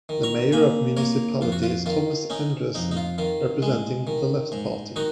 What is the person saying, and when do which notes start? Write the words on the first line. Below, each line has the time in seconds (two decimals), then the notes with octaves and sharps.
The mayor of the municipality is Thomas Andresen, representing the Left party.
0.09 D#3
0.23 A#5 C#6
0.52 A#3 G#5 B5
0.97 A#3 A#4 C#5
1.41 F2 F4
1.52 F#4
1.63 F4
1.86 D#3 F4
2.30 C#4 D#4
2.75 F2 D#4
2.92 D#4
2.97 F4
3.18 D#3 F4
3.62 G#3
4.07 D#3
4.52 G#2
4.96 D#3 D#4 F#4